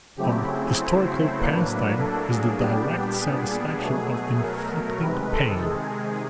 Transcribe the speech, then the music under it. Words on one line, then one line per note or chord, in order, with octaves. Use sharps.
Our historical pastime is the direct satisfaction of inflicting pain.
C#3 F#3 A3 C4 E4 G4
G#4
C5
A2 F#3 A#3 D4 B4
A4
G#4
A#2 G3 B3 D4 G4
G4
G#4
B2 F#3 A3
A#4
C3 D#3 G#3 B4
A4
G#4